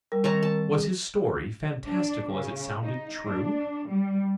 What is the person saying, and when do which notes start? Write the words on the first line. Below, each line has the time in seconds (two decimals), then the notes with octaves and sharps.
Was his story, fantastical as it sounded--true?
0.12 G3 A#4
0.24 D#3 C4 C#5 A5 A#5
0.43 A5
0.74 G#4
1.85 D4
2.32 C#3
2.82 D#4
3.25 D4
3.87 G3